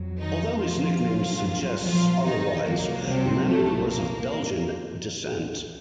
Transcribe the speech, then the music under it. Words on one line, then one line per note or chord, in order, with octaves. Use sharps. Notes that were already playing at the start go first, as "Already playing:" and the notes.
Although his nickname suggests otherwise, Leonard was of Belgian descent.
Already playing: F2 F#3
D#3 D#4
F3 F4
C2 A#2 F#3
F3 F4
D#3 D#4
C2 A#2 F#3 A#3
C3 C4
A3
A#3